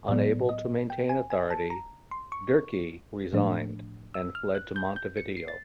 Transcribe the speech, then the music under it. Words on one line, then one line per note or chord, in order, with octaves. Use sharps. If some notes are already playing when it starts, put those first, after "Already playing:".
Unable to maintain authority, Derqui resigned and fled to Montevideo.
A2 F#3 B3 D5
D#5
G5
G#5
G#5
A5
A#5
C6
C#6
A2 F3 A3 D4
E6
F6
F#6
G6
G6
C#7
C7
A6